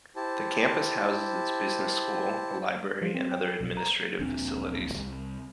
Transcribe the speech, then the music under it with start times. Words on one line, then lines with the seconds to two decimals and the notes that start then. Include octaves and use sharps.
The campus houses its business school, a library, and other administrative facilities.
0.16 E4 G4 C5 A5
3.01 F3
3.15 C4
3.32 G5
3.48 A4
3.60 B1
3.77 A#5
4.19 D1 A#1 C4 D4
4.94 C2